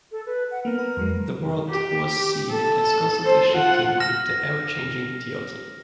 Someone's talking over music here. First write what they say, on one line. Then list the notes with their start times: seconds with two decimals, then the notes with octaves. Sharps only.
The world was seen as constantly shifting with the ever-changing teotl.
0.12 A4
0.26 B4
0.51 F#5
0.65 A#3 B3 A#4
0.78 B4
0.97 F2 F#3 G#3
1.70 G4
2.51 A4
3.21 A4 C5
3.53 F4 F#5
4.00 F6 A#6 E7